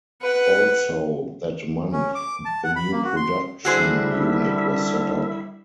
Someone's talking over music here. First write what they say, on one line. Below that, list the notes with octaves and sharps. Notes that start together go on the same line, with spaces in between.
Also that month, a new production unit was set up.
B4 F#5
C#4
D6
A5
F#5
B5
A#3
F#4
C6
D3 G3 E4 F#4 G#4 C5 E5